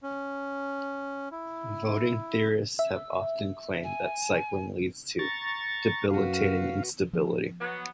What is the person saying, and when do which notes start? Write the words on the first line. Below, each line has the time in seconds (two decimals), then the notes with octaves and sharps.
Voting theorists have often claimed that cycling leads to debilitating instability.
0.03 C#4
1.32 E4
2.79 E5
3.84 G#5
5.19 A#5 C#6 A6
6.10 F#2 F#4 B4 F5
7.13 F3
7.60 F#3 B3